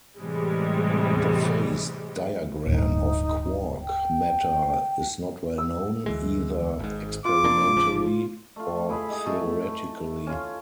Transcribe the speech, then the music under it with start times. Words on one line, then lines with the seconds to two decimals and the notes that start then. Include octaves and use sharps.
The phase diagram of quark matter is not well known, either experimentally or theoretically.
0.18 A2 C3 E3 G3 G#3
2.67 D1 G2 D#4
3.81 G5
5.58 E6
6.06 D2 E3 G#3
6.79 G#1 G#2
7.25 F4 D6
7.44 F1 A#3 D4
7.77 A1 C#3 F3
8.56 A3 F4
8.89 E4 G#4 B5
9.09 G#3 G#4
9.25 A3
10.27 C#4 F4